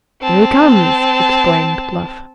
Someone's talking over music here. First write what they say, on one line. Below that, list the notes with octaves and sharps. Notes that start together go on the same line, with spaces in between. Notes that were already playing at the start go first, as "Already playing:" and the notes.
"There he comes!" exclaimed Bluff.
C4 A5